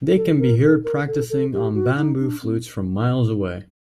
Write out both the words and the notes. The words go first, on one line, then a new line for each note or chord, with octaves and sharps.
They can be heard practicing on bamboo flutes from miles away.
A4
A#4
A4
A#4
A4
A4
G4
F#4
D#4
D4
C4